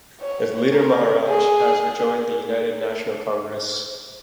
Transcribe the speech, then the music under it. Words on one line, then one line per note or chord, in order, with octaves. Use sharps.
Its leader Maharaj has rejoined the United National Congress.
C#5
A#4
G#4